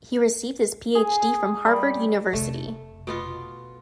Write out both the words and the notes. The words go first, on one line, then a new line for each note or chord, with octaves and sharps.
He received his PhD from Harvard University.
G#4
G3
F1 C3 A3
B2 B3 F4